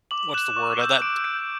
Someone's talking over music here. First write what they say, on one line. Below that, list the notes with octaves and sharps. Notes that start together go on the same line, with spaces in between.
What's the word uh, that
D6 F#7
F#6 E7
C#6
E6 G6
D6 D7
G6 D7